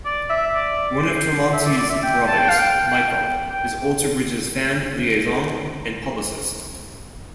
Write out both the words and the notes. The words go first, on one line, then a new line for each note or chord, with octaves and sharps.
One of Tremonti's brothers, Michael, is Alter Bridge's fan liaison and publicist.
D5
E5
D5
C5
E5
D5
D5
E5
G5
A5
G5
F5
G5
G5